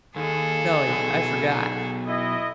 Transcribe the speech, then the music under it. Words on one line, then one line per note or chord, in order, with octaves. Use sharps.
Golly, I forgot.
D#2 G#4 A4
B1
E4 D#5